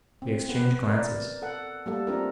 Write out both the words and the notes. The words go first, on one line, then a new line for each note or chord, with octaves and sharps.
We exchanged glances.
C4
B3 B4
A#4 D5
A4 F#5
G3 A3 A#3 G4 A4
C4 D4 F4 G4 A#4